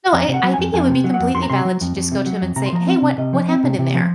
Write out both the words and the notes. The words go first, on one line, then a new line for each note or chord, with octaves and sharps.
No, eh, I think it would be completely valid to just go to them and say, "Hey, what what happened in there?"
F2 A#5
C3
F#5
F#3
F2 G#5
F2 G#5
C3
F#3
F#5
F2
F2 C6
A#5
C3 C6
F#3
F2
F2
C3
F#3
F2
C3 A#5
C6
F3 A#5
C4
C3
C3 D#5
F3
C4
C3
C3
F3